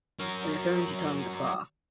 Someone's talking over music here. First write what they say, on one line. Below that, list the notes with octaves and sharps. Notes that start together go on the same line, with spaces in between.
In return, she taught him the 'Claw'.
F#3 A#4